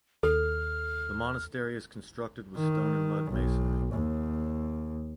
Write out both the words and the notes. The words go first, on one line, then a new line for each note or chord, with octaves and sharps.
The monastery is constructed with stone and mud masonry.
D#2 A4 F6
D#3
B1
D#2